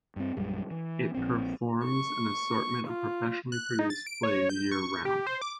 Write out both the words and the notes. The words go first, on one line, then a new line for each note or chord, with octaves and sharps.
It performs an assortment of professionally produced plays year-round.
G2 C4
A#1 F#2 G3 G#3
E3
A#1 C4
C#6
F4
F#6
D#4
A6
D7
C#5
G6
C#6
G4
C5
D6